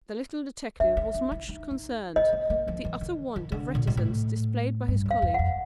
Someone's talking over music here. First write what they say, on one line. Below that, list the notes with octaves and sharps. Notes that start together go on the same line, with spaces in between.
The little detective was much concerned at the utter want of reticence displayed by his colleague.
D4 E5
C#4
D4
E4
D#4
D#4
C4 D#5
B3
A#3
F3
E3
D#3
D#3
D3
A#2
G#2
A2
G2
F2 F5
E2
F#5
F2